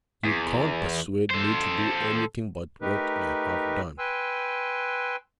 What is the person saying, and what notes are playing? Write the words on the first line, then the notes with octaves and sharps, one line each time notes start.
You can't persuade me to do anything but what I have done.
E2
A4 C5
A3 D#4 G4 A#4 B4
B4 G5 G#5 C6 E6 F#6